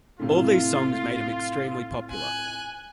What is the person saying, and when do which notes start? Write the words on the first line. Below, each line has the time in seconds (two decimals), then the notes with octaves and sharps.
All these songs made him extremely popular.
0.19 A2 C3 F4
2.10 G#5 F#6